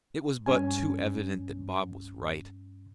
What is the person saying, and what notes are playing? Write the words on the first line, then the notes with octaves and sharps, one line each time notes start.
It was but too evident that Bob was right.
G2 C#4 G#5